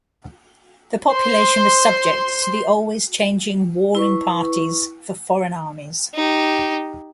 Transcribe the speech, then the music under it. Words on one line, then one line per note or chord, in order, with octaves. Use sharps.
The population was subject to the always changing warring parties for foreign armies.
C5 C6
E4 B4 C#6
D#4 G4